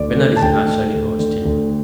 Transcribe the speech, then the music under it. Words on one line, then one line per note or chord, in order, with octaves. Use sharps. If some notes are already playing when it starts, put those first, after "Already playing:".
"Bernard is naturally hot tempered."
Already playing: D2 D5
D3
A5
D2 G5
D3
D2
D3
D2